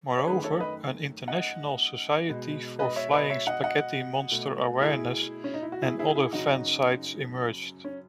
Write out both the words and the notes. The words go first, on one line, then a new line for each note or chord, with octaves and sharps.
Moreover, an International Society for Flying Spaghetti Monster Awareness and other fan sites emerged.
D#5
C#5
F#2 D#3 A3 G#4 B4
A4 C#5
B4 D#5
D#5 F#5
B2 G#3
B4 D#5
C#5 E5
B4 D#5
C#5 E5
D#5 F#5
D#5 F#5
B2 A3
E4 G#4
C#4
D#4
E4
F#4
E4 G#4
E4 G#4
E4 G#4
F#2 C#3 F#3 D#4 F#4
C#4